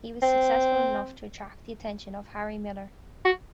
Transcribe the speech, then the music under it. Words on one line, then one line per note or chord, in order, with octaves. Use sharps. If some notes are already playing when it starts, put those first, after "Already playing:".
He was successful enough to attract the attention of Harry Miller.
C4
F#4